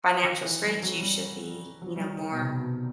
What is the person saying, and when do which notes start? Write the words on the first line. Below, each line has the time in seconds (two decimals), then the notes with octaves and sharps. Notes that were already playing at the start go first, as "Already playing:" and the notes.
financial straits you should be, you know, more
0.23 D#3
0.42 E3
0.62 G3
0.83 F#3
1.01 G3
1.82 F#3
1.96 G3
2.00 F#3
2.21 D#3
2.32 B2
2.41 C3
2.60 B2